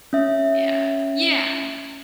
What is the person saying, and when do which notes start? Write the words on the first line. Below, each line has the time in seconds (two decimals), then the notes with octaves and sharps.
Yeah, yeah.
0.13 C#4 E5